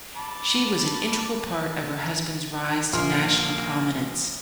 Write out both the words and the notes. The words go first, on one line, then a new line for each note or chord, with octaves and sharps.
She was an integral part of her husband's rise to national prominence.
A5 B5 D6
A#1 A#3 C6 F6